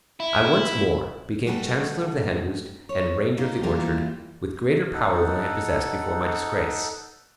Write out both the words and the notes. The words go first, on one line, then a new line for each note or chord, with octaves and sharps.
I once more became chancellor of the hen-roost and ranger of the orchard, with greater power than I had possessed before my disgrace.
E4
G3 A3 F#4 G#4 A4 B4
C#5
A#3 C4 D#4 F4
E3 G3 A#3 E4 F4
D#4 A4 F#5